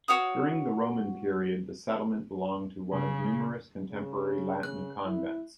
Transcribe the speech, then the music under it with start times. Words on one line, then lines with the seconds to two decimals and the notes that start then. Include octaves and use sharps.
During the Roman period the settlement belonged to one of numerous contemporary Latin convents.
0.08 F#4 C#5 F5 D#6
2.91 C#3
3.91 C#3
4.63 C#3 F#6
5.05 E4